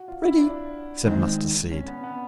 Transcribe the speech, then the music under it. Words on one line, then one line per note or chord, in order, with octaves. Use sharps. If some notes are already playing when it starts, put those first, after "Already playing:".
"Ready," said Mustardseed.
Already playing: F#4
F4
E4
D4
G#2 D#3 G#3 C4
C#4
B3
B3